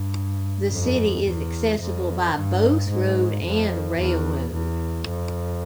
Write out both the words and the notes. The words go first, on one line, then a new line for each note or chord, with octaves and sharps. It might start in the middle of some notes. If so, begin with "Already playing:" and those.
The city is accessible by both road and railroad.
Already playing: G2
F2
E2
F2
G2
G#2
F2
E2
E2
F2